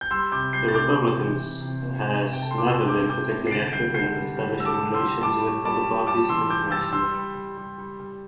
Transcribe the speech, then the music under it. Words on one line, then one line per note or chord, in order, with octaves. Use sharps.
The Republicans has never been particularly active in establishing relations with other parties internationally.
G6
G3 C6 E6
C3 D6 G6
G3 G6 C7
A6
C3 D6 G6
C3
E3
C3
C3
C3
C3
C3
G5
A3 A5
C6
D6
C3 C6 E6
C3 D6 G6
C3 D6 G6
C3
C7
D3 A6 D7
G3 G6 C7
D3 G6 C7
G3
G3
G3 E6
A5 D6
G3
C6 E6
G3
G3 A5 D6
A2
G3 A5 D6
G3
G3 A5 D6
E3 C6 E6
E3 D6 G6
G3 E6 A6
G3 C6 E6
G3
G3
G3
G3
G3